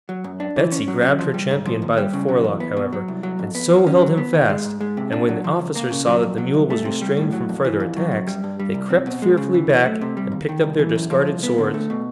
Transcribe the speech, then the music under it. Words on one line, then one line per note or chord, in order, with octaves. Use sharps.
Betsy grabbed her champion by the forelock, however, and so held him fast, and when the officers saw that the mule was restrained from further attacks they crept fearfully back and picked up their discarded swords.
F#3
F#2
D4
E3
C#4
F#3
C#4
F3
G3
G#2
F3
D#2
G3
C#3
F#3
E2
B3
B2
F#3
C2
F#3
F2
B3
F3
C#4
F#3
B3
D#3
G#3
G#2
G#3
C3
D4
F#3
F3
C#2
A#3
C#3
F#3
F2
F#3
C2
A3
C3
G3
A2
F#3
F2
E3
F2
F#3
F#2
G3
G2
G3
C2
C4
B2
G#3
C#3
E3
F#2
A3
C3
G3
D#2
D#3
C2
E3
F#2
F3
C2
B3
D3
A3
B2